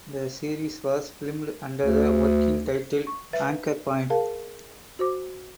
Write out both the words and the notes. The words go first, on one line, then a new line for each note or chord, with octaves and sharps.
The series was filmed under the working title "Anchor Point".
D2
C#6
B4 E5 A6
G#4 A#4 F5 A5
F#4 C5 D6